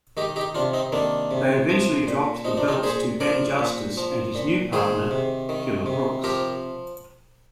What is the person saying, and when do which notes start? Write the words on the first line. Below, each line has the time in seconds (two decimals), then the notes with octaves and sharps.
They eventually dropped the belts to Ben Justice and his new partner, Killer Brooks.
0.17 D#3 D#4 G4
0.36 D#4 G4
0.55 C3 D4 F4
0.74 C4 D#4
0.93 D#3 A#3 D4
1.31 C3
1.69 F3
2.07 A#2
2.45 F3 D#4
2.57 D4
2.68 C4 D#4
2.83 A#2 G#4 C5
3.20 F3 A#4 D5
3.59 A#2
3.97 F3
4.35 A#2
4.73 D#3 G#4 C5
5.11 C3
5.49 D#3
5.86 C3
6.24 F3 G4 A#4